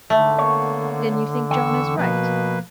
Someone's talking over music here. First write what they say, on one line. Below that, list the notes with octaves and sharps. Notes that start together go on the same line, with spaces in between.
"Then you think John is right?"
G#2 D3 A3
A#3 B3 C#5
E2 G5 C#6 E6
B2 F3 A#3 B4